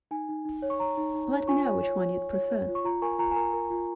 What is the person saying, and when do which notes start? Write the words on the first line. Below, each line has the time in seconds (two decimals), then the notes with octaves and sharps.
Let me know which one you'd prefer.
0.11 D#4 G#5
0.29 D#4
0.45 D#4
0.62 C#5
0.70 C#6
0.80 C#5 A#5
0.97 D#4
1.14 D#4
1.31 C#5
1.47 F4 G#5 C#6
1.66 C#5
1.83 C#5
1.99 C#5
2.17 C#5
2.33 C#5
2.50 C#5
2.68 F4
2.75 C#6
2.84 F4 A#5
3.02 A#4 G#5 C#6
3.18 F4 A#5
3.31 G#5
3.36 A#4 A#5
3.53 A#4
3.70 F4